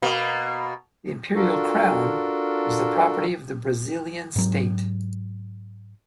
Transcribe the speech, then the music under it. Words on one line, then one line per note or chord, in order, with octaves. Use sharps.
The Imperial Crown is the property of the Brazilian State.
B2 A#3
D4 F4 F#4 A4 A#4
G#2 F#3